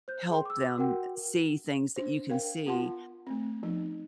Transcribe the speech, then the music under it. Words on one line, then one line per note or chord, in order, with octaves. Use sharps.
help them see things that you can see.
C5 G6
G#4 G5 C6
D6 E6
F#4 A#4 F#5 G5
D4 C5
A#4 F5 G5
B3 F4 F#5 A5 C6
A3 C4
F3 B3 D#4